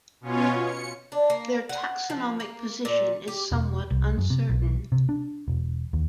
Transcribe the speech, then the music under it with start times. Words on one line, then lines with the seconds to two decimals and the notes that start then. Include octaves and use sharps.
Their taxonomic position is somewhat uncertain.
0.21 B2 C#4 F4 C#5
0.61 C#7
1.12 D4
1.30 A#3
1.69 F#5
2.10 F3
2.40 A#3
2.85 A#2
3.28 G4
3.52 E1
3.91 C2
4.18 F#2
4.30 C3
4.50 B1
4.92 C3
5.09 D4
5.48 E1
5.93 D#2